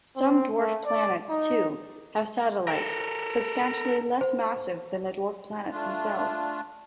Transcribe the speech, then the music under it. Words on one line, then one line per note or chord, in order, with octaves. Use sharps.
Some dwarf planets, too, have satellites substantially less massive than the dwarf planets themselves.
C4
A3
D5
D#4
A4 A#4
C5
A3 D4 F4